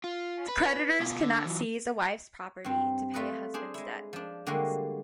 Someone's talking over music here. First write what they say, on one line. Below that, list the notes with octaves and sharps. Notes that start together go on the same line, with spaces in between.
Creditors could not seize a wife's property to pay a husband's debts.
F4
B4
B2 F4
D3
E3 F#3
G2 C4
A3 F4 A4 B4 D#5
D4 G#4 C5
G#3 E4
F3 D4
D3 G3 G#3 A#3 F#4